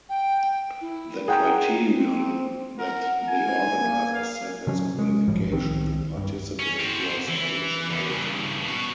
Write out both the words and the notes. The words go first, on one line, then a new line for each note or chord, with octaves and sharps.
The criterion that the organizers set as qualification to participate was "originality".
G5
E4
G#4 F#5 G5 A#5
C4
A#4 F#5
G#5
A#3
F5
C3 F#3 C#4
G#3
G#1 A2 F3 G3
C2 D#3 C4
G2
C#4
C4 F#4
E3
E2
G2 C#3
B2 F#4